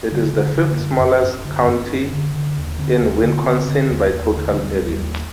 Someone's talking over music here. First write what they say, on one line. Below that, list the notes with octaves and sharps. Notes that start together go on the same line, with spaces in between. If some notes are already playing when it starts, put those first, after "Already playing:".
It is the fifth-smallest county in Wisconsin by total area.
D3 G3
D3
D3
A#3
F#2
F#2
F#2
D3
F#2
D3
D3
D3
D#2
D3 C4
D#2
D4
D3
C4
D3
D3
D#2
D#2
D3
A3
D#2 G3
D#2
D#2